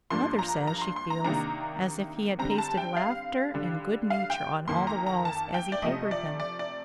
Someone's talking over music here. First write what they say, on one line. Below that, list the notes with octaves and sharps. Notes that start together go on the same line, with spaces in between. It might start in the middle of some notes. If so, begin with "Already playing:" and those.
Mother says she feels as if he had pasted laughter and good nature on all the walls as he papered them.
G2 F3 A#3 D4 C6
A#5
A#5
C6
C6
A#5
C3 D#3 A#3 D4 A#5
D3 G3 C4 A#5
A5
G5
F5
D3 G3 D4
F5
G5
F2 D#3 A#3 C6
A#5
A#5
A5
G5
D5
C3 F3 A3 D#5
D5
D5
D5